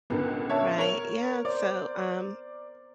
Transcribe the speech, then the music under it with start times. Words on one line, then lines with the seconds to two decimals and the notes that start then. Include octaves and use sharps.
Right, yeah, so, um,
0.10 C#2 A#2 D3 B3 B4
0.49 C#5 E5 A5
0.78 A#4 C#5 F7
1.45 C5 D5